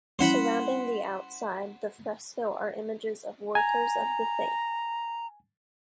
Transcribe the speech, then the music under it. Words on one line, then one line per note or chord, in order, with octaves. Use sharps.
Surrounding the outside the fresco are images of workers of the faith.
G3 C#4 E4 C5 F#5 B5
G#5 A#5